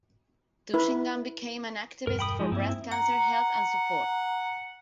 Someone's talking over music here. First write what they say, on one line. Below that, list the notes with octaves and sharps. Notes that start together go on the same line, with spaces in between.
Tushingham became an activist for breast cancer health and support.
E4 B4
E1 G2 A#4
G5 B5 D#6
F3 G#3 D#4
G2 A#3 C4 E4
F#5 A#5